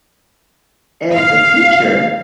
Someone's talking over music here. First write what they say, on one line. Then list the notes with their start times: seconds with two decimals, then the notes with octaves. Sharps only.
and the teacher
1.15 F5